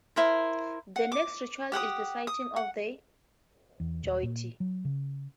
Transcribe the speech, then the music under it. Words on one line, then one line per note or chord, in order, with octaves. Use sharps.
The next ritual is the sighting of the jyoti.
E4 A#4 C5
F#5
D6
G4 F#5 G5 D#6
D#6
F#5
E2
D#1
A#2
F#3
C#3